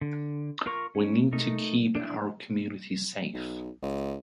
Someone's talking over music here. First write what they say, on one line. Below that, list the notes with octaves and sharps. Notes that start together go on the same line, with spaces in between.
We need to keep our community safe.
D3
F4 A#4 A#5 C#6
C#4
A3 D#4 A#4
D4 E4
B1
C#2